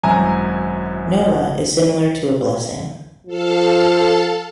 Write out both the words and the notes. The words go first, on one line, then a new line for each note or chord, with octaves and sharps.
"Noa" is similar to a blessing.
G#1 F#2 E4 G#5 A#5
F3 A4 F5 A5